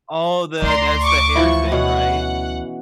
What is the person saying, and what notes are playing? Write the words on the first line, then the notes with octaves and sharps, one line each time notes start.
Oh, the that's the hair thing, right?
D2 D5 A#5 C6
C#6 D6
E3 F3 E4 C#6
B2 C#4 F#5